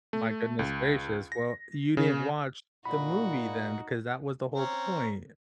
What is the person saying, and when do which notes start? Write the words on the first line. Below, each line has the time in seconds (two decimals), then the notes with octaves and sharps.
My goodness gracious. Well, you didn't watch the movie then, because that was the whole point.
0.13 A3
0.59 C#2
1.32 A#6
1.97 C#3
2.86 A#2 D#4 F#4 B5
4.55 C4 C#4 A#5